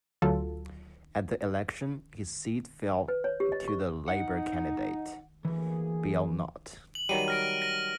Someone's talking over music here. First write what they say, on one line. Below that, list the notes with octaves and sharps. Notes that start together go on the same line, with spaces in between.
At the election, his seat fell to the Labor candidate, Bill Knott.
D2 F#3 F4 A4
B4
C#5
G4
D#5
C#6
D#4 F#5
D2 E3 A#3 G#4
F#7
D#3 F#3 G3 D#7
F6 A#6 D7
A#6